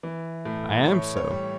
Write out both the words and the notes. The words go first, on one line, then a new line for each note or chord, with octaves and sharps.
I am so.
E3
A2
A2 C#5
C#5
G3